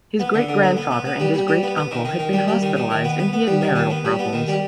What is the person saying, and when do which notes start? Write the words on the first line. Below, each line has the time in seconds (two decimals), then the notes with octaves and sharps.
His great-grandfather and his great-uncle had been hospitalized, and he had marital problems.
0.19 B3
0.34 D3
0.49 D3
0.63 B3
0.77 B3
0.91 B3
1.05 B3
1.20 G3
1.34 G3
1.48 G3
1.63 B3
1.77 B3
1.91 D#3
2.05 D#3
2.19 D#3
2.33 G3
2.48 G3
2.62 D#3
2.76 D#3
2.90 D#3
3.04 B3
3.19 B3
3.33 B3
3.47 G3
3.61 D#3
3.76 D#3
3.90 B3
4.05 G3
4.19 B3
4.33 D#3
4.48 G3